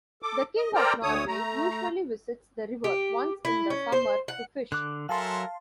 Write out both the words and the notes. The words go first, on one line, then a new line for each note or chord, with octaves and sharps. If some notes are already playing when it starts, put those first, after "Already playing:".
The king of Norway usually visits the river once in the summer to fish.
A4 D6
D#5
A4 A#4 C5 D5 G5 A#5
D2 D3 C#5 D#6
A3 A#5
G4
E4
C#4
C5
F#5
D3 D6 F#6
F#3 A4 A#4 E5 F5 G#5 A5 C6